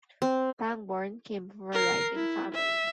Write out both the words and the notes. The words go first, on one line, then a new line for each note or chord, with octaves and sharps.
Pangborn came from a writing family.
C4
A#4 C7
E4
E5